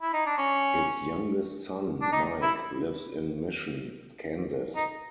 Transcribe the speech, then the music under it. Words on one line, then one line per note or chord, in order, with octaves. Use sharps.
His youngest son, Mike, lives in Mission, Kansas.
E4
D#4
D4
C#4
D4
D#4
E4
D#4